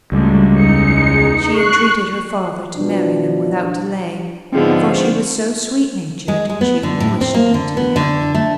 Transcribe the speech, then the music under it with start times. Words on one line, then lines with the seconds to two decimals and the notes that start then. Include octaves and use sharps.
She entreated her father to marry them without delay, for she was so sweet-natured, she only wished them to be happy.
0.12 C#2 A2 D3 F#3 G3
0.59 E2 D#4 C#7
1.14 G#4
1.56 C#6 F#6 C7
2.77 B2 E3 F3 D4
4.52 G#2 D3 F3 G#3 B3 C4
6.28 G#3
6.50 G#3
6.61 B3
6.83 D3
7.00 A2
7.21 C4
7.34 A#3
7.54 D3
7.77 B3
7.96 D3
8.35 A3